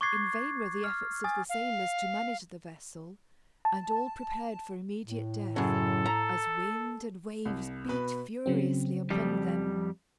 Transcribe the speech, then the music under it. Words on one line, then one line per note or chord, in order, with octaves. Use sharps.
In vain were the efforts of the sailors to manage the vessel, and all prepared for immediate death, as wind and waves beat furiously upon them.
C#6 D6 F#6 G#6 A6 C7
F6
G#5 D#6 A6
F5
A5
A2
F#2 C#3 A4
A#5
C2
B2 B4 B5
C#3 F#3 C4
F2 G3